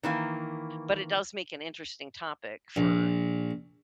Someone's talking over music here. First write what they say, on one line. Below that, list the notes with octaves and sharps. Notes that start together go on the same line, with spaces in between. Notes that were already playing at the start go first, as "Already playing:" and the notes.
but it does make an interesting topic for
D#3 E3 A#3
A#1